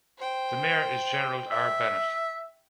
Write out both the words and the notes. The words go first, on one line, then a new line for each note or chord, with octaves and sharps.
The Mayor is Gerald R. Bennett.
C5 G5
E5